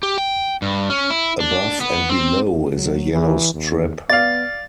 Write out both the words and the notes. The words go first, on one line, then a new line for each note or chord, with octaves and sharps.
Above and below is a yellow strip.
G4
G5
G2
C#4
E4
D4
B3
C4
F#3
E3
D#2
B3 D5 F5 A6